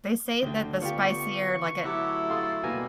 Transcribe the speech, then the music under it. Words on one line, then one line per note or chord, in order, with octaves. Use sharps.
They say that the spicier, like, it
D2 D3 G5
B3 F4 G4 D5 C#6
F#3 A3 E4 G4 F#5
A4 F5 C6 D6 D#6
B2 G3 A#3 G#5